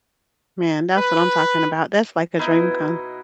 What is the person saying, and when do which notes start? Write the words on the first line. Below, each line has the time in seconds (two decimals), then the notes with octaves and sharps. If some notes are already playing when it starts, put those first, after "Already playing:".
Man, that's what I'm talking about, that's like a dream come
0.97 B4
2.39 B2 D#4 E4 D#5